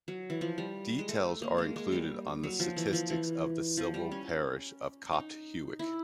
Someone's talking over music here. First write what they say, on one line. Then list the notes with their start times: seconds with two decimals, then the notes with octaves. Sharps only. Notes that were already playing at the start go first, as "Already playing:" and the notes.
Details are included on the statistics of the civil parish of Copt Hewick.
0.08 F#3
0.30 E3
0.41 F3
0.58 G3
0.99 G#3
1.08 A3
1.42 A#3
1.58 G#3
1.76 G#3
1.92 G3
2.43 F#3
2.60 F3
2.76 E3
2.93 F3
3.10 E3
3.77 F3
3.94 G3
4.11 C#4
5.13 D#4
5.79 E4